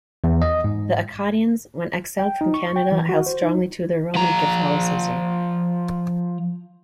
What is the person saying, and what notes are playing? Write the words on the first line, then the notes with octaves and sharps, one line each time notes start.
The Acadians, when exiled from Canada, held strongly to their Roman Catholicism.
E2
D#5
G#2
G5
D#4
C#6
G5
E3
F#4
C5
D#4
F3 A#5